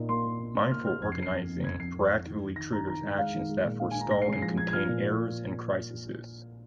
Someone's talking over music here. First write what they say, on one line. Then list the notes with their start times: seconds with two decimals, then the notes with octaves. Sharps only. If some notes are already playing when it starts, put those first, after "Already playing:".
Mindful organizing proactively triggers actions that forestall and contain errors and crises.
Already playing: A#2 D#4 F4
0.09 A#3 C6
0.25 A#3
0.40 A#2
0.56 A#2
0.71 A#3 F6
0.87 A#3 F6
1.02 F2 G#6
1.12 C7
1.17 F2
1.23 C7
1.33 F2
1.49 F2
1.64 F2 G#6
1.79 F2 C7
1.94 F2
2.10 F2
2.26 D#3
2.40 D#3
2.56 D#3 A#6
2.72 D#4 A#5
2.87 D#3 A#5
3.03 G#3
3.18 G#3 F5
3.34 D#3
3.49 G#3
3.65 A#2
3.80 D#4 F5
3.91 D#4 G#5
4.01 A#5
4.11 D#4 A#6
4.22 C7
4.27 G#3
4.33 C7
4.42 F3 A#6
4.58 F3 G#6
4.68 G#6
4.73 F4 F6
4.89 A#2